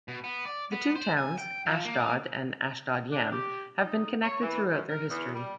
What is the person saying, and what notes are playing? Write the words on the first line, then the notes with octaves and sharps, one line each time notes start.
The two towns, Ashdod and Ashdod-Yam, have been connected throughout their history.
B2
B3
D5
B3
C5
G#5
G5
F3
A#3
D4
G4
D#4
C#5
E3
F#2
A#4
E2
G3